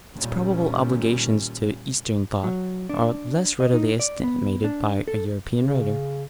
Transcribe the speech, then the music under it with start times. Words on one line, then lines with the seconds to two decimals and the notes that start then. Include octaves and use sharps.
Its probable obligations to Eastern thought are less readily estimated by a European writer.
0.16 A#2 D#3 G3 C#4
2.44 F#3
2.89 D4
3.60 D#5
3.74 D#4
3.99 D5
4.24 B3
4.64 D4
5.08 A4
5.61 C#3